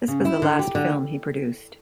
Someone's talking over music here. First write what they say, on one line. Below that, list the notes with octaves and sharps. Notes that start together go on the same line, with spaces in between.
This was the last film he produced.
C#3
E4
D3
G4
D3